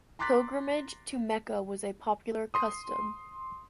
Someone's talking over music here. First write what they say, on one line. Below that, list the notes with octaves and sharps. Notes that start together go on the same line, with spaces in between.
Pilgrimage to Mecca was a popular custom.
A#5 C6 D6 F#6 A6 B6
C6 D#6